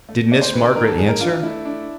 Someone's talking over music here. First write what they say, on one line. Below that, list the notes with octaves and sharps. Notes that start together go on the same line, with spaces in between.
"Did Miss Margaret answer?"
A3
A3 D5
C5
D#3 B4
A#4
D#3 A#4
A4
D#3 G#4
A#4
D4 F4
A3 E4
D4